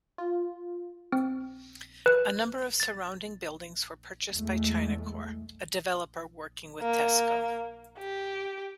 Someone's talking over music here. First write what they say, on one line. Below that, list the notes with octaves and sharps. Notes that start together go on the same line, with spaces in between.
A number of surrounding buildings were purchased by Chinacorp a developer working with Tesco.
F4
C4
B4
A6
E2 G#3 A3
A#3
G4